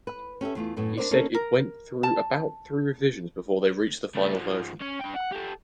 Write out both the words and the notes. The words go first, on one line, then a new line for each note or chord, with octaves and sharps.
He said it went through about three revisions before they reached the final version.
B4
C#4 G4 A4 E5
E2 A3 F4
F#2 A2 E3 B3
D4 E4 A#4 C5 D5
A#3 C#4 D#4 A4 A#4
A#4
A5
C#3 A3
G#2 F3
C#4 C#5
D4 G5
F#5
G4 A4